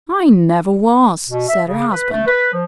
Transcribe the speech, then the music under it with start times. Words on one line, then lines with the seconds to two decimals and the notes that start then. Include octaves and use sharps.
"I never was," said her husband.
1.29 B2
1.48 E5
1.67 C#3
1.91 B4
2.11 A3
2.26 B4
2.52 F3